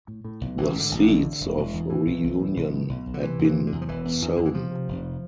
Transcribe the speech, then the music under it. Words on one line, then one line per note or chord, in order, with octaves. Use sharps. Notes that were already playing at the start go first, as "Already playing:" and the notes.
The seeds of reunion had been sown.
A2
A2
B1
A1 E3
G#2 D3
A1
D3
A1
D3
E1
E1
E2
A2 E3
B1
B1
A2
B1
A2
B1
B1
D3
C3 E3
E2
E3
C3
D3
E2
F3
E1 E3
E2
E2
E2 D3
E3
C3 F3
C3
F1